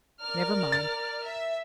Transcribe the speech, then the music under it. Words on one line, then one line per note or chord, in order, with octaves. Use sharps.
Never mind!
A#4 D5 F6
A6
E5